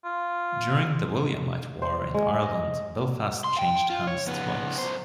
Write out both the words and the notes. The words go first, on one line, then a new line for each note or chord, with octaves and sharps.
During the Williamite War in Ireland Belfast changed hands twice.
F4
C5
G#3
D#5
C6
F5 G5
F4
C#5
C#2 B3
B1 C5